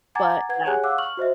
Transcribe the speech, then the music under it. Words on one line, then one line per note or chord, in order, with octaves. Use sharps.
but, yeah
F#5 G#5 A#5 D6 G#6 A6
B4 F#5 G#6
G4 G#4 C#5 F#5 G#5 F#6
F5 F#5 D6 E6 F#6
C#6 F6 F#7
F#4 C5 D#5 E5